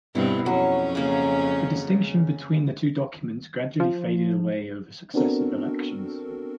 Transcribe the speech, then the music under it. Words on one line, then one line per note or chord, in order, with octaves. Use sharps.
The distinction between the two documents gradually faded away over successive elections.
G2 B2 C4 E4
F2 F#3 C#4
C#3 A#3
F3
B3 C4 D4 F#4 A4 A#4